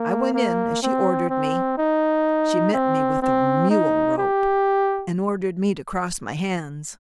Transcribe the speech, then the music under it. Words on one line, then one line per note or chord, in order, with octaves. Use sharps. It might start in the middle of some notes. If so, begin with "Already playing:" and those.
I went in as she ordered me; she met me with a mule-rope, and ordered me to cross my hands.
Already playing: A#3
A#3
C4
C4
D#4
C4
C4
D#4
G4